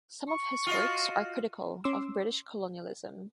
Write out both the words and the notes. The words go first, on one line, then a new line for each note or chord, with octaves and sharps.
Some of his works are critical of British colonialism.
C#6
F4 F#4 D#5
C#4 C6 D6 E6